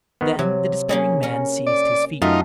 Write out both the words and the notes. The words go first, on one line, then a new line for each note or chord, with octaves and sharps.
Then the despairing man seized his feet.
D#3 B3
C3 F#3
A#3 C#4 G#4
C#4 A#4
D5
F#2 A3 D#4 F4